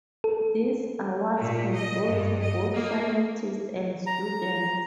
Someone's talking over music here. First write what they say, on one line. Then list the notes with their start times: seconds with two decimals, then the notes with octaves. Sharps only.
These awards can go to both scientists and students.
0.24 A4
1.38 A#2
1.74 D#5
2.08 G2
2.41 D#5
2.74 A#3
4.07 A#5